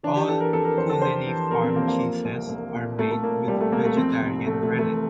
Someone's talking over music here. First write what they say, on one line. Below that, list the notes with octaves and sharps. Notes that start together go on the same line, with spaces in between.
All Cooleeney Farm cheeses are made with vegetarian rennet.
E3 D4
G4
E3 A4
A#4
F2 A4
A#4
F2 C5
A4
E3 C5
E3
F2 A#4
C4
F2 A#3
A#3
F3
C2
C2
A#2
C2 A3
A3
A#2 A#3
C2 G3
A3
C2 A#3
A3
F2 C4
C3
F2 A3
A3
E3
A3